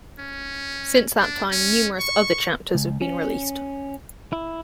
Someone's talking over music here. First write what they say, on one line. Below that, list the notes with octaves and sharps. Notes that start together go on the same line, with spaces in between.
Since that time, numerous other chapters have been released.
C#4
D4
C#4
C#6
C#2
C#4
E4